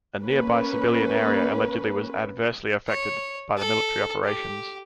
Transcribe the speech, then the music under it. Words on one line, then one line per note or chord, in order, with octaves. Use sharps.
A nearby civilian area allegedly was adversely affected by the military operations.
A#3 C#4 B4
C#5
A4
G4